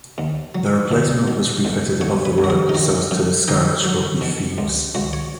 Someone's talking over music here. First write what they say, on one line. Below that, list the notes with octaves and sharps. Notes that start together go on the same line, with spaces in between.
The replacement was refitted above the road so as to discourage would-be thieves.
D#2
F#3
D#2
B2
B1
B1 C#5
B4
B1
F#4
G#4
D#4
D#3 F#4
F#2
D#3 D#4
F#3
B2
C#2
C#2 F#4
C#5